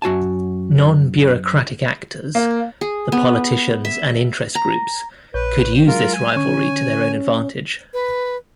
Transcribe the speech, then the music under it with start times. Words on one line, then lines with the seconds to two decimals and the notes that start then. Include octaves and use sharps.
Nonbureaucratic actors-the politicians and interest groups-could use this rivalry to their own advantage.
0.02 F#2 F#4 G#5 A5
2.35 A#3
2.81 G#4
3.12 B3
3.85 E5
4.55 A#5
5.34 A#1 B4 C#5 G6
5.87 F#3 G#3 F4 A#4 F5
6.14 G#5
6.36 D3 C#4 C#6
7.93 B4